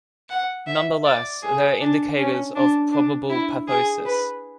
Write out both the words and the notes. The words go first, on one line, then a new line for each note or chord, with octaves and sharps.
Nonetheless, they are indicators of probable pathosis.
F#5
E5
D5
G#4
D4
C#4
D4
D4
E4
G#4
B4